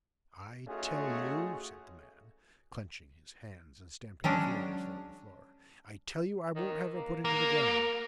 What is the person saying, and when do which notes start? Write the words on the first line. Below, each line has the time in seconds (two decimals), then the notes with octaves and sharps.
'I tell you,' said the man: clenching his hands, and stamping furiously on the floor,--'I tell you I won't have her put into the ground.
0.67 A3 C#4 D#4 F4 F#4 G#4
4.24 F#3 G#3 C#4 D4
6.56 D#3
6.96 A#3
7.25 A#3 A#4